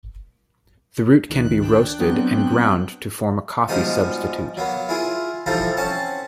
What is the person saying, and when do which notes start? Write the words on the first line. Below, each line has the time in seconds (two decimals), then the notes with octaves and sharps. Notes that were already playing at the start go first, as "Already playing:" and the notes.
The root can be roasted and ground to form a coffee substitute.
1.29 C#2 D#3 F#6
1.62 D4 G5 F#6
1.99 F#3 B3 C4
3.68 G2 B2 F3 G#3 B3 D#4
4.57 F#3 A#3 B3
4.89 E4 F4 G#4
5.46 E3 F3 G3 D#4 F4 A4
5.77 C4 C#4 F#5 A5